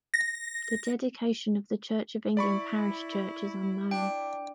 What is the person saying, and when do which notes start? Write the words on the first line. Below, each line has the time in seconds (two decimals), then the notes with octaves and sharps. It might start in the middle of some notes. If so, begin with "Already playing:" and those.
The dedication of the Church of England parish church is unknown.
0.14 A#6
2.37 E4 D5 B5 C#6
3.91 D4 G5